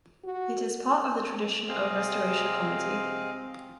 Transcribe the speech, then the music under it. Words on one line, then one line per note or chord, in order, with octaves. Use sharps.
It is part of the tradition of Restoration Comedy.
F#4
C3 C4 G#4 D#5 F5